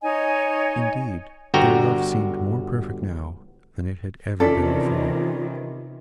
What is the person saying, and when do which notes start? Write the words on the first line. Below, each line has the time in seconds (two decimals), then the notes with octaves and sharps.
Indeed their love seemed more perfect now than it had ever been before.
0.02 D#4 C#5 D#5 G#5
1.54 G1 D3 F#4 G5 A#5
4.40 C3 D#3 E3 C#4 F4 A4 D5 B6